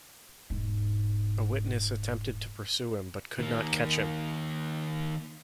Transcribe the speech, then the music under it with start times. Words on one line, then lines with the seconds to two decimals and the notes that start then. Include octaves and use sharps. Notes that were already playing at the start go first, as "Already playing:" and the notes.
A witness attempted to pursue him but could not catch him.
0.50 E1 G#2
3.40 D#3 A#3